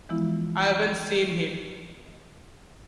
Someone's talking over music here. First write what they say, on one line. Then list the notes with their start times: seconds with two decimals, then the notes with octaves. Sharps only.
I haven't seen him.
0.09 E3 F3 G#3 B3 E4 F4